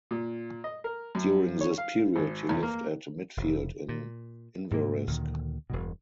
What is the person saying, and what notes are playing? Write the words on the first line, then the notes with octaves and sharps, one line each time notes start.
During this period he lived at Midfield in Inveresk.
A#2
D#5
A#4
F#2
C#5
F5
G#1
E2
A#3
F1
A#2
G#2 C3 A#3
D2 A#2 D#3
E1 G2 B2